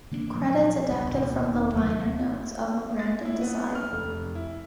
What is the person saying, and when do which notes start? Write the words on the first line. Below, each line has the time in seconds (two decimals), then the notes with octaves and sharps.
Credits adapted from the liner notes of "Random Desire".
0.12 D3 A#3 B3 D4
0.33 A#2 F3 F#3
0.86 E1 C#2 G2
1.13 D1 B2 D#3 A#3
1.44 E1 D#3
1.74 D#2 C3 F#3 A3
2.99 A6
3.25 E4
3.41 B3
3.75 F6
3.92 F1
4.35 E4